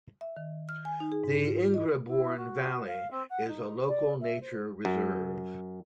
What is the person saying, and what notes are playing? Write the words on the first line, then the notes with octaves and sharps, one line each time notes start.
The Ingrebourne Valley is a Local Nature Reserve.
E5
D#3
F6
G#5
D#4
G#4
G#2
F4
D#5
E4
F#4
F5
C4
F#5
D#4
D5
E5
C5
F#2